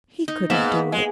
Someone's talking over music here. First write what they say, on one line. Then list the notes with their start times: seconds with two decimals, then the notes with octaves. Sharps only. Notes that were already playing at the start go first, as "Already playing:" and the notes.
He couldn't do it.
0.28 D#4
0.50 G#2 A#3 B3 E5
0.92 G#3